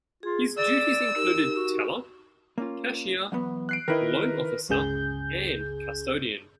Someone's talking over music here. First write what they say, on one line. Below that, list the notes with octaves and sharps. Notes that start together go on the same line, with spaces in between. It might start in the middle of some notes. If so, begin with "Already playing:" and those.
His duties included teller, cashier, loan officer and custodian.
F4 G#4
D5 E6
D#4 G4 A#4
F#4
A#3 C#4 F4
E2 F#3 B3
F#6 C7 D7
D#3 E4 A#4 B4 D#5
G1 C#2 C#3 G#4 G6